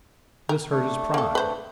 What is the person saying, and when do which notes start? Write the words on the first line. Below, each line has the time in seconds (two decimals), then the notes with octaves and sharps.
This hurt his pride.
0.49 A#4
0.71 A3 D4
1.14 A#3 A4
1.35 B4 C5